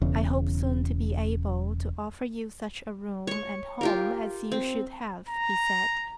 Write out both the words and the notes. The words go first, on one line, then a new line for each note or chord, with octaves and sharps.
"I hope soon to be able to offer you such a room and home as you should have," he said.
E1 E2 C#3
C#5 C#6
F4 G4 A#4
C4
A#5